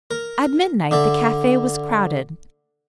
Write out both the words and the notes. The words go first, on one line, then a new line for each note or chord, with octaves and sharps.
At midnight the cafe was crowded.
A#4
D3 D4 E5 A5